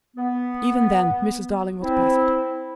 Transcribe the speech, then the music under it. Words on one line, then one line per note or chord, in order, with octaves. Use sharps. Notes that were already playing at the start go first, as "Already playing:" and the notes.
Even then Mrs. Darling was placid.
B3
C4 E4